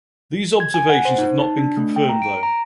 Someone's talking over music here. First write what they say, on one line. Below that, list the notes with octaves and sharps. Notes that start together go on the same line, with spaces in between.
These observations have not been confirmed though.
G#6
G#5
F#5
C5
D#4
A5
D4
A3
G5
A#5
D7
A#5